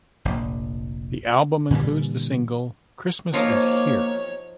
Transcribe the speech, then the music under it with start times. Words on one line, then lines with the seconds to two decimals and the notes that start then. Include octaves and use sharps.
The album includes the single "Christmas Is Here".
0.25 F1 A#1
1.70 A#2 D3 E3 G3
3.33 F3 A#3 D#4 F4 C#5